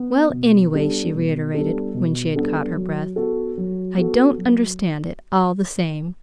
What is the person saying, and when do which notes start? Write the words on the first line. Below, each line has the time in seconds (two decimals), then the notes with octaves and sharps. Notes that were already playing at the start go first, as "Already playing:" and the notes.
"Well, anyway," she reiterated, when she had caught her breath, "I don't understand it, all the same."
Already playing: B3
0.33 B2
0.74 G3 B3 D4 A4
1.14 B2
1.54 G3 B3 D4 A4
1.94 B2
2.36 G3 B3 D4 A4
2.76 F#3
3.16 B3 F#4 A4
3.57 F#3
3.97 B3 F#4 A4
4.38 F#3